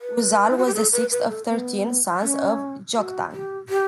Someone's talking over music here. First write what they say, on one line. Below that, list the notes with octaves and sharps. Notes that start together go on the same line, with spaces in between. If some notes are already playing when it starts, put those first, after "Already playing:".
Uzal was the sixth of thirteen sons of Joktan.
B4
E4
F#4
G4
A4
B4
B4
A4
B3
C#4
F#4
G4
G4